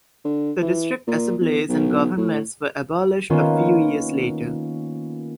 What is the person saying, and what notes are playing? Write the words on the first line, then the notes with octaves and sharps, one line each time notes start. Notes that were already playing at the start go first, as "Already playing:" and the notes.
The district assemblies and governments were abolished a few years later.
D3
E3
A#2
E2
B1
A2
D#3 A#3 B3 C#4 F4